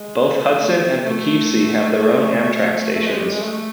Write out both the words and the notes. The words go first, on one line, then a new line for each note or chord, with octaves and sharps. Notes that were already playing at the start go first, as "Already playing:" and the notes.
Both Hudson and Poughkeepsie have their own Amtrak stations.
Already playing: G#3
A3
A3
A3
G#3
G3
G#3
A3